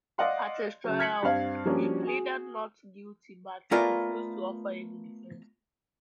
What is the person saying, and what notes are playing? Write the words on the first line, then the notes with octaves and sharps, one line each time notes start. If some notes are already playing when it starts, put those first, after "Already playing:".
At his trial he pleaded not guilty, but refused to offer any defence.
D5 D#5 F5 F#5 C6
C#3 F#3
F6 G#6 B6 C#7 F#7
G2 C4 F5
F3 G3 A#3 C#4 D4 F#4
F#4 G#4
A3 B3 F4 A#4 D5 G#5